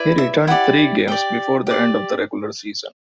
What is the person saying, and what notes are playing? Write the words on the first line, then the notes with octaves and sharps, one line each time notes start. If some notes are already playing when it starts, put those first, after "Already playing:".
He returned three games before the end of the regular season.
Already playing: E4 B4 D5
E5
E4 G4 D5 F#5
G4 D5 G5
G4 D5